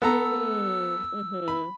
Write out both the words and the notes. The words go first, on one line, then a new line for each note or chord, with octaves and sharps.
Mm, mhm.
B3 A4 A#5 E6
B5